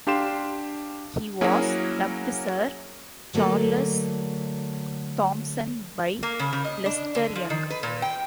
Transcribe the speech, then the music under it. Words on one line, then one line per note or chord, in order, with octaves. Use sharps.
He was dubbed Sir Charles Thompson by Lester Young.
D4 G4 F5 C6 E7
F#3 A#3 C#4 E4 F#4 G#4
D3 F#3 A3 A#3 A4
A#3
C#3
C#3
D#5
D4
D3
F3
D#3
B4
A#2
G5